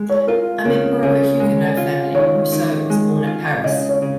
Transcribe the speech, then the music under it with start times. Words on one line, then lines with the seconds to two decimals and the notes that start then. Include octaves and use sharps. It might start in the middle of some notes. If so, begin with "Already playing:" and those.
A member of a Huguenot family, Rousseau was born at Paris.
Already playing: G#3
0.10 C#5
0.27 F4 A#4
0.65 C#3 A#4
1.03 C#3
1.40 G#3
1.77 F4
2.15 D#3 C#5
2.52 D#3
2.90 G#3
3.27 F4
3.64 C#3 D#5
3.89 C#5
4.02 C#3